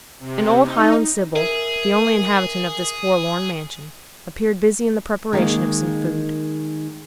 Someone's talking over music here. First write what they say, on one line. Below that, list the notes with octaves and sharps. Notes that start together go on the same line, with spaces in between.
An old Highland sibyl, the only inhabitant of this forlorn mansion, appeared busy in the preparation of some food.
C3
D#4
G#4 A#4 E5
D#3 G#3 A#3